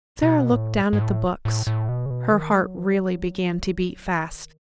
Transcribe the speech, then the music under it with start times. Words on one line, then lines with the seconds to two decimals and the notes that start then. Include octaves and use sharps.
Sara looked down at the books; her heart really began to beat fast.
0.22 B2
0.51 A2
0.93 G#2
1.02 A2
1.45 A2
1.67 A2
1.89 B2
2.06 C#3
2.10 B2
2.32 D#3
2.54 G#3
2.64 F#3
2.75 E3
2.86 F#3
4.27 D#3